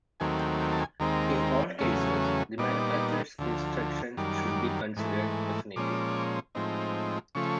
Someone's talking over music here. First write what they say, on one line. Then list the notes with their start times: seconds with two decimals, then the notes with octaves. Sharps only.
In all cases, the manufacturer's instructions should be considered definitive.
0.20 D#2 D#3 F#3 A3 C4 G#5
0.40 G5
0.60 G5
0.72 A5
0.80 G#5
1.00 D#2 D#3 G#3 C4 A#5
1.79 E2 C#3 F#3 A3 C#4
2.58 A#2 G3 B3 D#4 D6
3.39 D2 D3 F3
4.17 F#2 D#3 G3 D6
4.97 G#2 E3 A3
5.76 A#2 F3 G#3 C#4 D6
6.55 A2 F3 G#3 C4 D#4
7.35 C#3 F3 A3 C#6